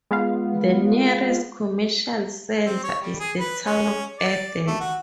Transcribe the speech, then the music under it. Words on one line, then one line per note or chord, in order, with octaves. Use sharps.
The nearest commercial centre is the town of Eden.
G#3 B3 F4 F5
C4
C#5
G3
G#4
B4
C#4
D5
A3
F#4